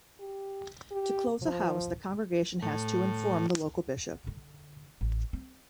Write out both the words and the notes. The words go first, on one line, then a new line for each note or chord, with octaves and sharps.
To close a house, the congregation has to inform the local bishop.
G4
G4
F3
A2
D3
A1
C4